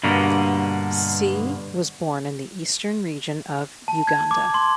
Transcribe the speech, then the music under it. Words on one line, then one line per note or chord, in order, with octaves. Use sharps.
Se was born in the Eastern Region of Uganda.
G2 B2 D3 A#3
A5
G#6
D6
C6